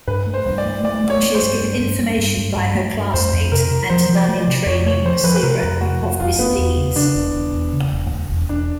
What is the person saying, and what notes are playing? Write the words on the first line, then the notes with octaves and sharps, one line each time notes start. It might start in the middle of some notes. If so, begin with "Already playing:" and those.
She is given information by her classmate, and nun-in-training, Seira, of misdeeds.
G2 B4
A3
C5
G2
D5
A3
A3 D5
A3
C#5
A3
C5
G2
G2
G2
G2
G2
G2
G2
A3
G2
F2 C5
F2
C3 A#4
C3
F3 C5
F3
D5
A3
D5
C3
F2 C#5
A3 C#5
F3 C5
F3 B4
B4
C3 A#4
F2
A3 F#4
F2
E1 F4
E1 B3
E2
C#3
C#3 D4
E1
E1
E1
C#3
E1
E1
E1
E1 D4